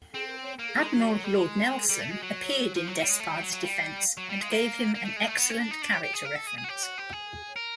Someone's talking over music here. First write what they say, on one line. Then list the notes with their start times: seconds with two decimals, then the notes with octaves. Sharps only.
Admiral Lord Nelson appeared in Despard's defence and gave him an excellent character reference.
0.14 C4
0.59 A#3
0.80 G#3
0.93 F#3
1.01 G3
1.12 F#3
1.24 G3
1.34 G#3
1.89 G3
2.00 A3
2.11 G#3
2.22 F#3
2.76 F3
2.87 F#3
2.99 G3
3.09 G#3
3.20 A3
3.31 G3
3.41 F#3
3.53 F#3
3.63 G3
4.17 F#3
4.29 G3
4.40 G#3
4.51 A#3
4.94 A#3
5.05 A3
5.16 G#3
5.27 A3
5.37 B3
5.49 C#4
5.60 D4
5.71 D#4
5.82 D4
5.92 G4
6.03 G4
6.14 G#4
6.25 A#4
6.35 A4
6.47 G#4
6.58 G#4
6.64 F#4
6.69 G4
6.83 F#4
6.98 G4
7.13 G#4
7.56 A#4